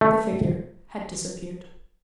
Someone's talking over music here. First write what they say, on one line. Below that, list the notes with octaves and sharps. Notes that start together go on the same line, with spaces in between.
The figure had disappeared.
A3